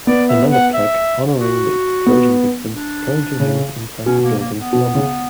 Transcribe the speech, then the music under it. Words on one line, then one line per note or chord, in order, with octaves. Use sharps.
Another plaque honoring the explosion victims currently hangs inside the building's lobby.
B3 D5
E5
F#5
E5
F#4
B3
D4
C#3
B2 C#4
A#3
A#3
B3
B2
C#3